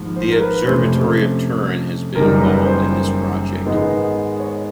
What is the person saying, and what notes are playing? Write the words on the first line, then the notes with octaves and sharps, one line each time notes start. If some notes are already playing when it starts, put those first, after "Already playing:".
The Observatory of Turin has been also involved in this project.
Already playing: G#1 G#2 F3 A#3
C5
A#4
B4
F2 C3 F3 A3 C#4 C5
F#1 F#2 D#3 G3 A#4
B4
C5
G#2 D#3 G#3 B3 D#4
C#5